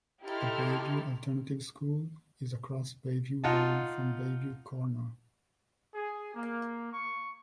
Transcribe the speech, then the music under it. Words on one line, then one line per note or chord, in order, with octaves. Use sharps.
The Bayview Alternative School is across Bayview Road from Bayview Corner.
D#4 E4 G4 A4 C6 F6
D#4 F4 F#5 A5
G#4
A#3
C#6